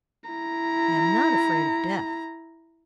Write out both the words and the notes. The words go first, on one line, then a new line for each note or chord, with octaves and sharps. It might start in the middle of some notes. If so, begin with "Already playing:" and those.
I am not afraid of death.
E4 A#5